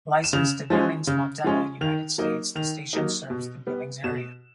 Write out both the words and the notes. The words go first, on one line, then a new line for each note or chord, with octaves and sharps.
Licensed to Billings, Montana, United States, the station serves the Billings area.
E7
C#3 F7
F3 G#3 C#4
C#3
F3 G#3 C#4
D#3 F7
F#3 A#3 D#4
D#3 F7
F#3 A#3 D#4
B2
G3 B3
B2 E7